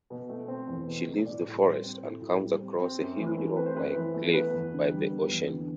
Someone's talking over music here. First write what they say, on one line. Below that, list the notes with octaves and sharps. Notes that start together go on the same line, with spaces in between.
She leaves the forest and comes across a huge rock-like cliff by the ocean.
B2
A3
C4
E2
B2
A3
A2 D5
A2
G3 C5
C4
A2
A2
G3
C4
C4
F#2
E3
A3
C4 B4
C5
F#2 B4
E3
A3
B3 B4
E2
D3
G3
B3
E2
D3